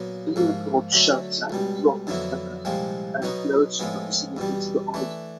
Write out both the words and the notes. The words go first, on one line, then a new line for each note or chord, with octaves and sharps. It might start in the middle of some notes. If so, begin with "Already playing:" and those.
Inner Port Shelter and Rocky Harbour are in close proximity to the island.
Already playing: A#2 F#3 B3
G#2 F3 A#3
D3 F#3 A3
C#2 B2 G3
F2 D3 F#3 B3 E4
C2 A#2 F3 G#3 C4
B2 F#3 B3 D#4 F#4
A2 F3 G#3 B3
E2 B2 G3
E3 A3 D4